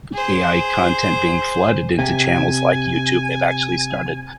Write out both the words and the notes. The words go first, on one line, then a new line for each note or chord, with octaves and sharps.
with AI content being flooded into channels like YouTube, they've actually started,
G#4 C5
C3 G#5